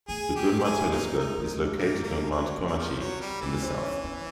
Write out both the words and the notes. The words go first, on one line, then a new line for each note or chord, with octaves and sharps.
The Gunma Telescope is located on Mount Komochi in the south.
A3 G#4
G#3 G4
G4
A3 G#4
A#3 D#4
A3 D#4
A3
G#3
A#3
A#3
F#3
A#3
F#3
F3
F#3
G3
E3 B3
C4
C#4
C#4